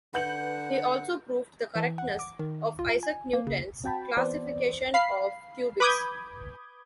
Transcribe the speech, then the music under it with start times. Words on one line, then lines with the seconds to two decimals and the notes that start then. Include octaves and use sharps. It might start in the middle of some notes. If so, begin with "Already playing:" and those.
He also proved the correctness of Isaac Newton's classification of cubics.
0.14 D3 B4 F#5 G6 F#7
1.75 E3
1.98 F#5
2.19 D6
2.39 D#3
2.79 F4
3.03 G#5
3.33 A#3
3.47 C#3
3.84 C4 F#4 G5 A5 B5
4.17 E3 B3 C4 C5 D5
4.94 F5 B5 C7
5.80 B4 B5 D6 D#6 G6 G#6